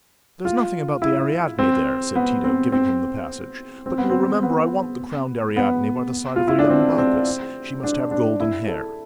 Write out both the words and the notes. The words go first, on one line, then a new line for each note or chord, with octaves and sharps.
"There's nothing about the Ariadne there," said Tito, giving him the passage; "but you will remember I want the crowned Ariadne by the side of the young Bacchus: she must have golden hair."
F4
E4
C4
B3
C4
C4
C4
B3
C4
B3
B3
F4
E4
D4
C4
C4
D4
D4
E4
A4